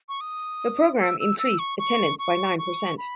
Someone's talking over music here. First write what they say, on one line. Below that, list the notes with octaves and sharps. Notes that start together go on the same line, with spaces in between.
The program increased attendance by nine percent.
C#6
D#6
E6
E6
E6
C#6
C#6
C#6
C#6
B5